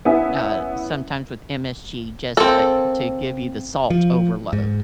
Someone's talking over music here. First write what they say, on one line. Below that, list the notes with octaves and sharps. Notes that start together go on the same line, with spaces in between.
uh, sometimes with MSG just, uh, to give you the salt overload.
B3 C#4 E4 E5 G#5
A#3 C4 A4
F3
G#2